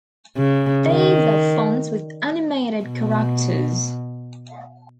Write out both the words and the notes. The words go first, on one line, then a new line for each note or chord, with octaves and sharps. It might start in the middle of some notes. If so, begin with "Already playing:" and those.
These are fonts with animated characters.
C#3
D#3
B2